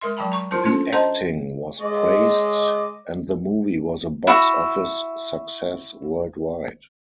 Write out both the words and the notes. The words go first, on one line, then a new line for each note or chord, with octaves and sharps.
The acting was praised and the movie was a box office success worldwide.
G#3 A#4 E5 C6
F#3 G#3 G5 A5 B5
A#5 C#6
E4 F4 G4 A#4 C5 A5
C#4 D4 F4 A4
C5 D#5 F#5 A5 A#5 C6
G#3 D#5 D6
E4 F#4